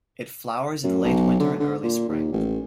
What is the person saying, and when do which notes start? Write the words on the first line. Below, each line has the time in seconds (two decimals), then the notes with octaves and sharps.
It flowers in late winter and early spring.
0.84 F#2
1.04 B1
1.40 D3
1.60 D3
1.84 A#2
2.09 D#2
2.32 A1